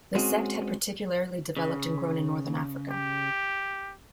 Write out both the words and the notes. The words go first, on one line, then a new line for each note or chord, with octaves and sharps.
The sect had particularly developed and grown in northern Africa.
G#3 C4 C#4 F#4 G#4
C#3
G4